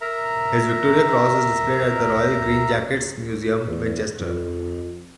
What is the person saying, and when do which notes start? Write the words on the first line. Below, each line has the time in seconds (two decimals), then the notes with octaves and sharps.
His Victoria Cross is displayed at the Royal Green Jackets Museum, Winchester.
0.01 A#4 E5 A#5
3.66 E2
4.18 F2